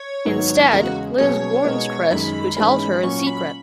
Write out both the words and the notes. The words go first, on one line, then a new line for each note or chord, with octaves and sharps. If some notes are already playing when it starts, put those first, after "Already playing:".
Instead, Liz warns Cris, who tells her his secret.
Already playing: C#5
G#2 D#3 F#3 B3
E2 C#3 G#3 A#4
F#4
B2 F#3 A#3 C#4 G#4 C#5
B2 G#3 D#4 A#4
F#2 D#3 G#3 B5
G#2 E3 G#3 C#4 B5
A#2 F#3 C#4 C#6
B5